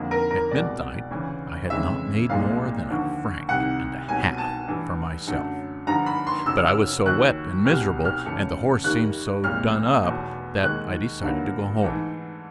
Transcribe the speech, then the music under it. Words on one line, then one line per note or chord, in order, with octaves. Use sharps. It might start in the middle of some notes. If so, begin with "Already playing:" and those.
At midnight I had not made more than a franc and a half for myself, but I was so wet and miserable and the horse seemed so done up that I decided to go home.
Already playing: F2 D3 F3 A#3
A#4
A#4
C2 B2 G#3 D5
D2 C#3 E3
F2 C#3 E3 G#3 E5
C2 A#2 F3 G#3 F5
D#2 D3 F3
C2 C3 D#3 F#5
C2 B2 F#3 A3 G#5
A5
G2 E3 A3
F#2 D3 F#3 A3
G2 D3 F3 A#5
B5
C6
F#2 C#3 F#3 E6
F6
E6
D#2 D#3 F#3 F#6
C2 B2 G3 F6
F6
F#2 C#3 E3 A3
D#2 D#3 G3 A#3 F#6
C2 A#2 F3 G#3 F6
E2 B2 F#3 A3
D#2 D#3 G#3 F#6
G2 D3 F#3 A#3
G#2 E3 A3